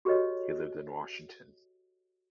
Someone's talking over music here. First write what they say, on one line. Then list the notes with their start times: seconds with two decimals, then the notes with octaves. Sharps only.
He lived in Washington.
0.05 F#4 G4 A4 B4 C#5 D#5